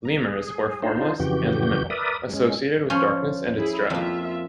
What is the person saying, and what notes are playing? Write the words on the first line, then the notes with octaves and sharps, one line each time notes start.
"Lemures" were formless and liminal, associated with darkness and its dread.
A#5
G#4
D4 D#4 F4 C5
F2 C#3 E3 F#4 G4 G6
A#4 B4 D5 E5 D#6
G#3 C#4
F3 C#4
E4 G#4
F2 A#3 F4 E5